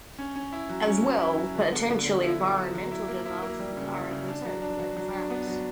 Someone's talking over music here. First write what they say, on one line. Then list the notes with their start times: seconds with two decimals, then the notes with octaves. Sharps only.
As well, potential environmental disasters are a concern for local farmers.
0.19 C#4
0.36 C#4
0.53 E4
0.69 F#3
0.87 C#4
1.04 F#3
1.21 E4
1.38 F#3
1.55 D3
1.72 B3
1.89 D3
2.06 D3
2.23 E4
2.40 F#3
2.58 F#3
2.75 F#3
2.92 E4
3.08 A#3
3.26 E4
3.42 A#3
3.60 G3
3.77 C#3
3.94 E4
4.11 C#3
4.28 D4
4.45 F#3
4.62 D4
4.80 F#3
4.97 F#3
5.13 D4
5.30 B3
5.47 F#3